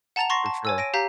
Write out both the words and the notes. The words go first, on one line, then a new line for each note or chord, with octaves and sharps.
For sure.
F#5 A5 A#5 A6 E7 F7
C6 C#6 A6 A#6 C7
A5
C#5 G#5 E6
A#6 D7 D#7
G4 F5 A#5 G6 B6